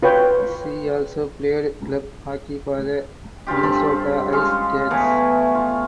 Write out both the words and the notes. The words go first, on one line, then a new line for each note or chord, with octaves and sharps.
She also played club hockey for the Minnesota Ice Cats.
F4 B4 C#5 G5
G2 C#4 F4 G4
G2 C4 A4 B5
G#3 C#4 F4 F5
E3 A3 B3 C#5
F4